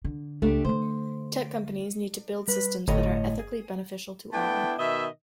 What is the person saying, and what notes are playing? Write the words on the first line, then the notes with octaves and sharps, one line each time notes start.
Tech companies need to build systems that are ethically beneficial to all.
D3
C#2 A3 D4 G4
D3 A3 C5
G3 B4
G1 A2 C#5 D#5
G#4
A3 B3 D4 E4 G5
B2 D#3 D#5 E5